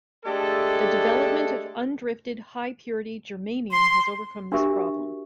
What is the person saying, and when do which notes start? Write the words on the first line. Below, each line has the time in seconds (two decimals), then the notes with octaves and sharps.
The development of undrifted high purity germanium has overcome this problem.
0.25 G#3 A3 D4 G4 A4
3.71 C6
4.52 D4 F#4 G4 A#4 E5 C#6